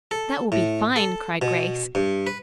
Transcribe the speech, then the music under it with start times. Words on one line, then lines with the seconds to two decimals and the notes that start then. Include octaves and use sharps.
"That will be fine," cried Grace.
0.11 A4
0.52 A2
0.96 A4
1.42 B2
1.95 G2
2.27 B4